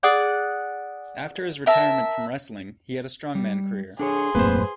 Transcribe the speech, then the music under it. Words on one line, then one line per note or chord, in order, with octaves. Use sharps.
After his retirement from wrestling, he had a strongman career.
G#4 D5 F#5 F#6
A#4 E5 A5
G3
D4 G#4 A4 C#5 C6
D#1 F#2 A2 A#3 C4 B4 C5